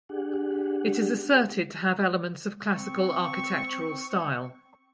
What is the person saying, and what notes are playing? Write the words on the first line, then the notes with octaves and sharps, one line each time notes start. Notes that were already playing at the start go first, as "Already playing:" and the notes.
It is asserted to have elements of Classical architectural style.
D4 G4 G#4 F#5
C4 C#6